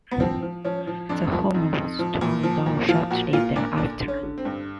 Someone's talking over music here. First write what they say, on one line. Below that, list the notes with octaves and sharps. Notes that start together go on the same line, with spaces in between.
The home was torn down shortly thereafter.
B3
F3 C4
F3
F3 C#4
F3
F2 D4
F3
F2 D#4
F2
F3
A#2
F3
A#2
F3 F4
A#2 F#4
A#2 F4
A#2 D4
D3 D4
D3
C#4
D3
C4
G2